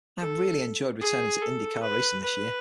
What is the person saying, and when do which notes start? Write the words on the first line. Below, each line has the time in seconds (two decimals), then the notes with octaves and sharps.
I have really enjoyed returning to IndyCar racing this year.
0.20 A4
1.01 G#4
1.42 A4
1.82 B4
2.23 B4